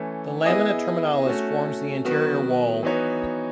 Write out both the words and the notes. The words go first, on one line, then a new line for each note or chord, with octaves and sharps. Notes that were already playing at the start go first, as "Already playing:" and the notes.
The lamina terminalis forms the anterior wall.
Already playing: E3 A3 C#4
B3 E4 G#4 D#5
A3 C#4 F#4
D#3 F#3 B3 F#4
E3 B3 D#4 F#4 C#5